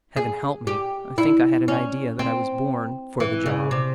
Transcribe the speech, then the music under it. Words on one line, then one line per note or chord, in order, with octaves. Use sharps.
Heaven help me, I think I had an idea that I was born for the job.
G#4
G4
E4
C#4
C4
E3
C#3
C3